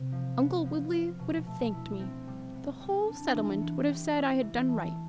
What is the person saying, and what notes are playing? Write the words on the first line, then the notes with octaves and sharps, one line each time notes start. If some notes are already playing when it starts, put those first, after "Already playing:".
Uncle Woodley would have thanked me--the whole settlement would have said I had done right.
Already playing: C3 C4
F3
B3
F3
F4
B2
A3
E4
C4
G3
B3
G3
D4
E3
B3
G4
E4
E3
A3